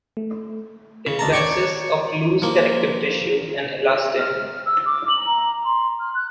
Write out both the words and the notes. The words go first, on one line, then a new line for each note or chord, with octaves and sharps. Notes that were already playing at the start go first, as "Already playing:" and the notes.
It consists of loose connective tissue and elastin.
A3
C#3
D2 A5 A#5
C#5 D5 G5 C#6 D6
F3 A#3
F6
E6
D6
F#7
A#5
C6
F6
F#6